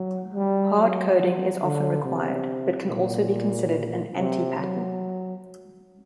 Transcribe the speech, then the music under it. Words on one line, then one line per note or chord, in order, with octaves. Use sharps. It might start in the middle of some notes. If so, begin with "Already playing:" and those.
Hard coding is often required, but can also be considered an anti-pattern.
Already playing: F#3
G3
F#3
D3
C3
A#2
C3
F#3